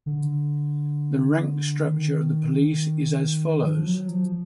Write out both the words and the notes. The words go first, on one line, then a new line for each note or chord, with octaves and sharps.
The rank structure of the police is as follows.
D3
D#3
F3
F#3
F3